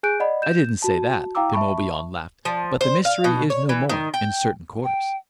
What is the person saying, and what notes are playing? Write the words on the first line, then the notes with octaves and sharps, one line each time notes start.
"I didn't say that," De Morbihan laughed; "but the mystery is no more--in certain quarters."
G#4 G#5 F#6 G6 D7
D5 D#5 F#5 B5
G6 E7
F#4 A5
E4 F5 G5 A#5 D6 E6
E5 A5 B5 C#6
F3
C5
F5
B2
C#5
E3
D#3
G5
G5